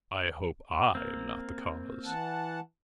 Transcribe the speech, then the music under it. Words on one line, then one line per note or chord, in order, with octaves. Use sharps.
"I hope I am not the cause."
A#3 C4
E3 F#5 A5